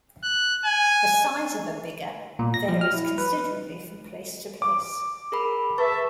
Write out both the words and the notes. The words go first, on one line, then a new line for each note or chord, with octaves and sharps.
The size of a "bigha" varies considerably from place to place.
F#6
G#5
A#2
A#6
F3
F6
E4
B4
D6
G#4 A#4 B5
B4 E5 A5 C#6